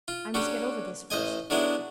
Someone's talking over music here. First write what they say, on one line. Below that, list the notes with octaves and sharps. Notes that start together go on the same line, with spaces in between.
I must get over this first.
F4
D3 F#3 C#4 G4
A1 C5 D#5 G#5
D3 F#3 G#3 B3 D4 E4